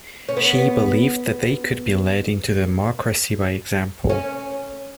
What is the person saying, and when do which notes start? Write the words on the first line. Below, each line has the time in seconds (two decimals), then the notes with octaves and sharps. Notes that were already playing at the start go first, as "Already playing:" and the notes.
She believed that they could be led into democracy by example.
0.29 C#4
0.37 B3
4.10 C#4